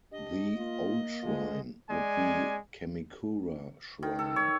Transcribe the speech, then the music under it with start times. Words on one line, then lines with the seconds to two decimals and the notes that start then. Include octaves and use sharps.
The 'old shrine' would be Kamikura Shrine.
0.12 D4 G4 D#5
0.56 A#3 F4
1.23 D3 G#3 F4
1.89 G#3 D5 G#5
4.03 D#3
4.19 A4
4.36 C#5